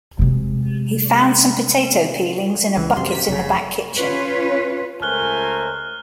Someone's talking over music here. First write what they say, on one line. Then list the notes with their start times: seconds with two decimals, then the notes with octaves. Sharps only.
He found some potato peelings in a bucket in the back kitchen.
0.19 C3 G#3
2.77 C#2 E3
2.97 F#2 C3 C6
3.12 B6
3.29 F1 G#2 C#3
3.96 C#4 F4 B4 C#5
5.02 C#2 A3 A#4 C5 G#5 F6 F#6 G7